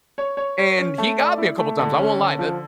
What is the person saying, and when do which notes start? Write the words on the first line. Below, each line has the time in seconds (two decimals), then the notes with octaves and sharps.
and he got me a couple of times, I won't lie. The
0.18 C#5
0.37 C#5
0.58 C#5
0.78 C#4
0.98 A3
1.18 D5
1.38 E4
1.58 A3
1.79 D3
1.99 C#4
2.19 D3
2.39 F3